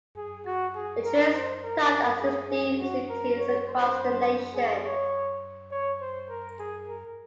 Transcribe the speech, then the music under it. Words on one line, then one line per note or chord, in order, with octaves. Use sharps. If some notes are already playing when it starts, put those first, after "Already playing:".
The train stopped at sixteen cities across the nation.
G#4
F#4
G#4
A#4
C5
A#4
G#4
G#4
F#4
A#4
C#5
C5
G#4
C#5
C#5
C5
A#4
G#4
A#4